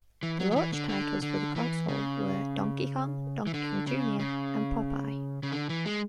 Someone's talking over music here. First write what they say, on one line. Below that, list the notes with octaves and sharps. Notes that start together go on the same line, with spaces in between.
The launch titles for the console were "Donkey Kong", "Donkey Kong Junior", and "Popeye".
E3
F#3
F#3
E3
D3
D3
D3
E3
C#3
E3
D3
C#3
C#3
C#3
D3
E3
G#3